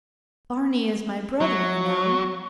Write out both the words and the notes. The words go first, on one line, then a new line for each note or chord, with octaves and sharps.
"Barney is my brother, you know."
F#3